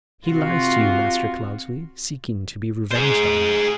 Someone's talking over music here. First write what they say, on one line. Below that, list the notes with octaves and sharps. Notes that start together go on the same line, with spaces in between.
"He lies to you, Master Cloudesley, seeking to be revenged on me."
C3 F4 F#4
G#4 C5